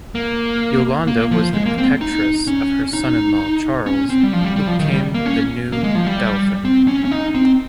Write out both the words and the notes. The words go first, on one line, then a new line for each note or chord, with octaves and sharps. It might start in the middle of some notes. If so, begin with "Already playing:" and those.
Yolande was the protectress of her son-in-law, Charles, who became the new Dauphin.
A#3
A#3
F3
G#3
A#3
C4
D#4
C#4
D#4
C#4
C4
G3
F3
G3
G3
F3
D#3
G3
A#3
C#4
A#3
G#3
F3
G3
C4
C#4
C#4
D#4
C4